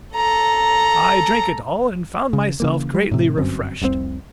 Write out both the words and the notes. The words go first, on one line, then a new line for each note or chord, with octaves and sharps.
I drank it all, and found myself greatly refreshed.
A4 A#5
C#3
C#3 E3 A#3
G3
A2 C3
G1 F#2 C4
F1 C2 C3 C4